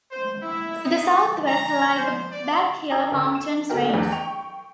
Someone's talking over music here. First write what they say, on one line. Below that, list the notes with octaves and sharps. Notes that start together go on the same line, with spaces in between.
To the southwest lie the Black Hills mountain range.
C5
E4
D#4
A#5
C5
D5
D5 A5 A#5 D#6 E6 G#6
D2 A#5 D6
E7
D2 A3 B3 F#4 A#4 G5
E2 D4
G5 C#6 F7